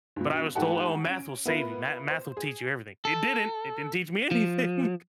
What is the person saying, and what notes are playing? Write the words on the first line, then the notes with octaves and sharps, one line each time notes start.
but I was told, "Oh, math will save you. Ma math will teach you everything." It didn't. It didn't teach me anything
G2 B2
G#2 A3 G4 F#5 A5
C#4 D7
B3 E4 F4 A#4 B4
C5
G#4
A4
F3